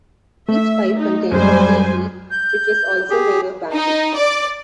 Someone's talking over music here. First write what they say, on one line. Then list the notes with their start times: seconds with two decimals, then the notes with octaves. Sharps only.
Each pipe contained a free reed, which was also made of bamboo.
0.49 A3 E5
0.97 D#4
1.32 F#2 G3 G#3 C5 G#5
2.30 G6
3.10 G4 G#4
3.73 D#4
4.16 D5